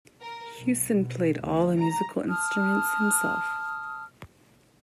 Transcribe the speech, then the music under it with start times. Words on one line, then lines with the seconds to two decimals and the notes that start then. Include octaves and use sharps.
Hewson played all the musical instruments himself.
0.21 A#4
0.58 B1
0.93 B2
1.40 D2
1.77 A#5
2.29 A5 D#6 F6